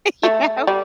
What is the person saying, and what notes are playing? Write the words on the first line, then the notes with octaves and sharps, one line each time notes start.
You know?
A3
G3